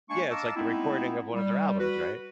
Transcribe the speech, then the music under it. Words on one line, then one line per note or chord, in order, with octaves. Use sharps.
Yeah, it's like the recording of one of their albums, right?
G#3 A#3 D4 G#5 C#6
D#5 F5 A5 A#5 D6 E6
G#3 A3 B3 C4 D#4 E4
G3
F#4 B4